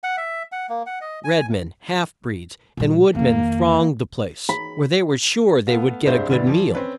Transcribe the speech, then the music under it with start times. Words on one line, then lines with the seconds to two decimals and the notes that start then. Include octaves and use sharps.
Red-men, half breeds, and wood-men thronged the place, where they were sure they would get a good meal.
0.04 F#5
0.17 E5
0.52 F#5
0.69 A#3
0.86 F#5
1.01 D#5
1.24 G#5
2.77 A#2 G3
3.15 F2 D#3 A#3
4.49 B5
5.67 A3 B3 F5
6.06 C2 G2 G#3 C5 E5 G6
6.30 D2 G2 E4 B4 A6
6.47 E3 F3
6.75 C4 C#4 B4